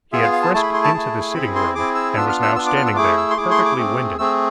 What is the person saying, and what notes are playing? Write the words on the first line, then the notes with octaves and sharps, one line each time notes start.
He had frisked into the sitting-room, and was now standing there, perfectly winded.
B3 F4 G#4 E5
F5
F5
A5
A3 E4 G#4 A5
B5
C6
A5
A3 E4 G#4
C4 E4 G#4 B5
C6
C4 E4 G#4 D6
E6
B3 D4 F4 E6
F6
E6
B3 D4 F4 E6
D6
F6
E6
A3 E4 G#4 D6
E6
C6
A3 E4 G#4 D6
C6
D6
A3 C4 G#4
A3 C4 G#4 E6